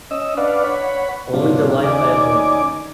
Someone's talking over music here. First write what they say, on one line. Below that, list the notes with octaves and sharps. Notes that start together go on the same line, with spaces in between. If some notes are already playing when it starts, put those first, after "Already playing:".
Only the life I have lived.
C#4 D#5 E6
D4 B4 D5 F5 F#5
C#5 F#5 B5
G#2 B2 F#3 C#4 D4 F4
D#2 C#4 D#4 D5 G#5 D6